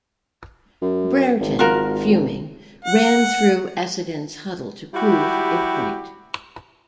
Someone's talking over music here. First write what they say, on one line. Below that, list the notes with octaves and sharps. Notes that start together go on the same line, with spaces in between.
Brereton, fuming, ran through Essendon's huddle to prove a point.
F#2
G#1
F4 F#4 A#4
F#5
G3 E4 F#4 G4